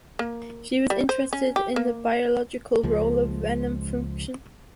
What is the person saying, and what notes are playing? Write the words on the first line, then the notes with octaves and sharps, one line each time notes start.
She was interested in the biological role of venom function.
A#3
G3
C5
C#4
G4
A#3
C#2 F3 G#3